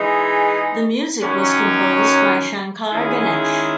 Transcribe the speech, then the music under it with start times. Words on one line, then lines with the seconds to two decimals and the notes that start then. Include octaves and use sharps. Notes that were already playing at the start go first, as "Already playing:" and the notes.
The music was composed by Shankar–Ganesh.
Already playing: E3 G#3 D#4 G#4
1.22 F#2 D#3 F#3 C#4
2.91 D#3 G#3 C#4 E4 G#4